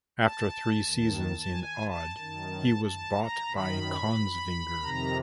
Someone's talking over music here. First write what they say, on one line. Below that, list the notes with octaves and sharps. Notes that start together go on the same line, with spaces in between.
After three seasons in Odd he was bought by Kongsvinger.
A5
D#2 D#3
G#5
A5
F#2 D#3
A5
A#5
F#2 D#3 B5
F2 C3 D#3 A#5